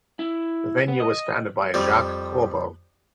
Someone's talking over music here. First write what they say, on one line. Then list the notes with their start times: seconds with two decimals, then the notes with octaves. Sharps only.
The venue was founded by Jacques Corbo.
0.19 E4
0.88 B3
1.00 D#5
1.74 F2 G3